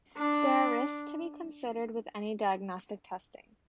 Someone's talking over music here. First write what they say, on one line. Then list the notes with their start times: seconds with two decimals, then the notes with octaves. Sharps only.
There are risks to be considered with any diagnostic testing.
0.17 D4